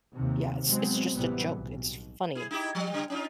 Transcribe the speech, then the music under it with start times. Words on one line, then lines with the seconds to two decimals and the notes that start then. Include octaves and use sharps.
Yeah, it's it's just a joke; it's funny,
0.15 D#2 C3
0.69 F#3 G#3 B3 C4
1.16 A1 C3 E3 G3 B3
1.55 B1
2.35 E4 G#4
2.51 D#4 E4 G4
2.75 F3 G3
2.90 C#3 G3
3.10 C#4 D#4 F4